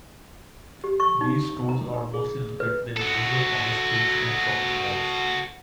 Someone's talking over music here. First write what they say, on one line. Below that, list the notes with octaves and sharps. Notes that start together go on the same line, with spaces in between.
These stores are mostly located in major commerce streets and shopping malls.
G4
C#6
D#4
A#5
G#4
B4
F#4 A4